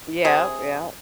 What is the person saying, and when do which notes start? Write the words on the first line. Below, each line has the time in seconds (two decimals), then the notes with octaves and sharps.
Yeah yeah.
0.25 C3 G#4